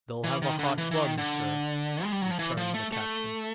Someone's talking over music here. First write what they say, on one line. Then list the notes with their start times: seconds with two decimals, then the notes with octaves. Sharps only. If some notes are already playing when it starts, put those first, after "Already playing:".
"They'll have a hot run, sir," returned the captain.
0.24 E3
0.42 D#3
0.59 D3
0.78 E3
0.91 E3
1.04 D#3
1.18 D3
2.04 G#3
2.12 G3
2.21 F#3
2.31 F3
2.39 E3
2.57 F3
2.74 A3
2.92 A3